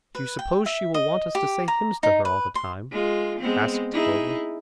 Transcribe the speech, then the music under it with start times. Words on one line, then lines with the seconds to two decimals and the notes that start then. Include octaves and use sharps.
"Do you suppose she will want us to say hymns to her all the time?" asked Clover.
0.15 B4
0.39 G5
0.66 E5
0.94 D#5
1.35 G4
1.68 A#5
2.03 D#4
2.25 B4
2.55 C6
2.91 G#3 F4
3.39 G#3 B3 C4
3.92 D#4 E4 G#4